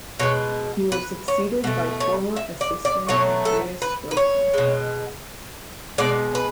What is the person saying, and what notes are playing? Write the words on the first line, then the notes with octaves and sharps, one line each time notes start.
He was succeeded by former assistant Andreas Bergmann.
B2 G#3 C#5
B4
C#5
B2 A3
C#5
E5
D5
D5
B2 F#3 A3 C#5
A4
B4
B4
C#5
B2 G#3
B2 G#3 D5
B4